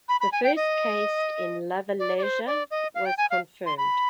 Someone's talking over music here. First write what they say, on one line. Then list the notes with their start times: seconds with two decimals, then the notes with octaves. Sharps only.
The first case in Lavalleja was confirmed.
0.08 B5
0.20 B5
0.32 G#5
0.44 G5
0.56 D#5
1.99 D5
2.18 D5
2.23 C5
2.47 D5
2.71 D#5
2.95 F5
3.05 G5
3.17 G#5
3.30 F5
3.66 C6
3.78 B5